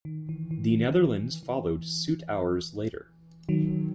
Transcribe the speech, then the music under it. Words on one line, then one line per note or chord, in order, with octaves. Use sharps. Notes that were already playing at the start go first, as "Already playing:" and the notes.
The Netherlands followed suit hours later.
D#3
E3
E3
D#3
E3
D#3 F#3